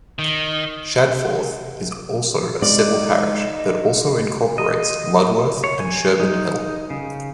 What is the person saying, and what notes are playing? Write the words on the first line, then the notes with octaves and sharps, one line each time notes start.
Shadforth is also a civil parish that also incorporates Ludworth and Sherburn Hill.
D#3
G#3 D#4 D5
D#5
C#5
G#5
D#4
C#3